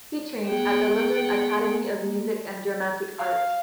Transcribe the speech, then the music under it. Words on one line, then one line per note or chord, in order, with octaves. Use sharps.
He trained at the London Academy of Music and Dramatic Art.
A3 B3 G#4 F#5 G5
A#3
F5